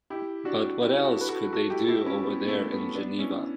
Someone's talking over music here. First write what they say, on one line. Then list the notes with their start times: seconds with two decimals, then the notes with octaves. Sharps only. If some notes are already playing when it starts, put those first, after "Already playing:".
But what else could they do over there in Geneva?
0.10 E4 G4
0.45 D4 F#4
0.81 E4 G4
1.05 F#4 A4
1.21 B4
1.29 F#4 A4
1.53 F#4 A4
1.70 E4 G4
1.84 A4
1.88 E4 G4
2.06 C#4 E4
2.24 B3
2.48 A3
2.72 B3
2.95 B3 D4
3.19 C#4 E4